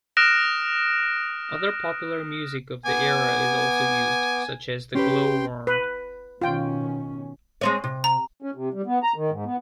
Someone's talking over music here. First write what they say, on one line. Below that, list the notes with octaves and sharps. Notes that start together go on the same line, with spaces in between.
Other popular music of the era is also used, such as The Glow-Worm.
D#6 F6 F#6 A#6 D7 E7
B3 G#5 D6
C#4 G4 B4 G5 C6
B4
B2 D#3 C#4 F4 G5
G#3 C4 C#5
C3
A#5
C#4
C3
G3
B3
A#5
D#3
G#2
B3